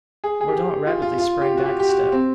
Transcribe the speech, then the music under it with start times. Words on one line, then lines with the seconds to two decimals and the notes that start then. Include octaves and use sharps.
Mordaunt rapidly sprang back a step.
0.24 G#4
0.41 G#4
0.48 G4
0.87 F4
1.02 F4
1.18 F4
1.41 G4
1.57 F#4
1.65 G4
1.79 G4
1.89 F#4
2.12 C4